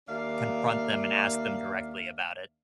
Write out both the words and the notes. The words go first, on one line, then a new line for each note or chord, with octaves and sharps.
confront them and ask them directly about it.
D#2 A#3 D4 E5 F5